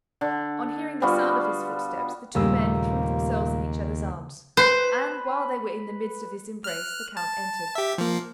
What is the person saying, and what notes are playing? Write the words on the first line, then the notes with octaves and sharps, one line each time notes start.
On hearing the sound of his footsteps, the two men threw themselves in each other's arms, and while they were in the midst of this embrace, the count entered.
D3
G3 B3 F4 F#4
D#2 A#2 C#3 G3 A3 A#3 A#4 E6
B4 C5
F6 F#6
A5
G4 E5
F3 A#3